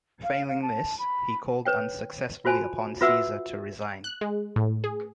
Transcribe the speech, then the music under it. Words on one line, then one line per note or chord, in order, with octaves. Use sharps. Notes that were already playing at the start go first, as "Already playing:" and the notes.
Failing this, he called unsuccessfully upon Caesar to resign.
F5
F5
A5
B5
B4 C#5 G5
F4 F#4 C5 G#5 A5 B5
F4 F#4 B4 E5 F#5 E6
F#6
G#3
A2
G#4